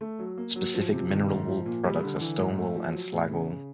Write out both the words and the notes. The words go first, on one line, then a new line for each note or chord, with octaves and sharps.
Specific mineral wool products are "stone wool" and "slag wool".
A3
F#3
A#3
F#3
F3
C3
D#3
G#2
F3
A#2
G3
D3
E3
G#2
A3
F3
F#3
A2
C#3